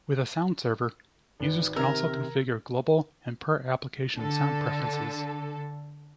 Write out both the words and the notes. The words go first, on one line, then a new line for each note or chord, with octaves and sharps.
With a sound server, users can also configure global and per-application sound preferences.
G#1 G#2 B4
C3 D#3 A#4 E6 G#6 A#6
D3 A4